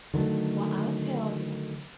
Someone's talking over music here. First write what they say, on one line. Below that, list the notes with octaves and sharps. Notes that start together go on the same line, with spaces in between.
Well, I'll tell ya.
D3 D#3 F#3 A3